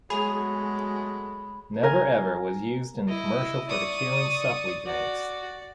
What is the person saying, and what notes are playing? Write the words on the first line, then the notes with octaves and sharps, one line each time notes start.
"Never Ever" was used in a commercial for the Kirin Supli drinks.
B2 F#3 G#3 A3 G#4 B5
A#4 G#5
E4 D#5
D5 C#6 D#6
F#4 D5